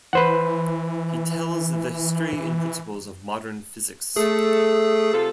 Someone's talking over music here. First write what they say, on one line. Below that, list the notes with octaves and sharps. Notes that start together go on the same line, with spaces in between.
He tells the history and principles of modern physics.
E3 B4 C5 F#5
A3 G#4
C3 F4 A4